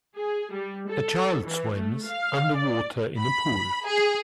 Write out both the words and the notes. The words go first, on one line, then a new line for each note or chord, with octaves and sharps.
A child swims underwater in a pool.
G#4
G3
A4
E3
A3
F5
D5
B5
G#4